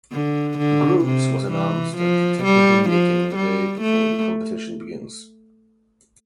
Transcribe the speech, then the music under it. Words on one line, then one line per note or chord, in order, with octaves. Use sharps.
Groups was announced at the technical meeting the day before the competition begins.
D3
D3
C3
E3
F3
G3
F3
G3
A3